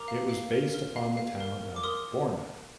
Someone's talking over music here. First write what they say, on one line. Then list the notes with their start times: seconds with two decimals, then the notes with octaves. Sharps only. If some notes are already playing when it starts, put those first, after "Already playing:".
It was based upon the town of Borna.
Already playing: A#4 A#5 D6
0.08 F5
0.29 F5
0.51 A#4
0.74 A#4
0.96 F5
1.17 F5
1.40 A#4
1.61 A#4
1.76 D6
1.83 A#4 C6 D#6